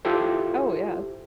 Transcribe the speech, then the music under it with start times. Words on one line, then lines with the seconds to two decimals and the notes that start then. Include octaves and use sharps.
Oh, yeah.
0.05 E4 F4 G4 A4 C5